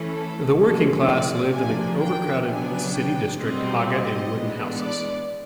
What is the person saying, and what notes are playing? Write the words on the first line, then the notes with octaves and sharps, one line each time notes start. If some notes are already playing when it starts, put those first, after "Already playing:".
The working class lived in the overcrowded city district Haga in wooden houses.
Already playing: E3 A3 C#4
A4
A2 F3 G#3 C#4 A4
D5
F3 A#3 D4 G#5
G5
C#3 F#3 B3 D4 G#5
G5
B2 G3 C4 D#5
D#5
E3 G#3 B3 D4
D5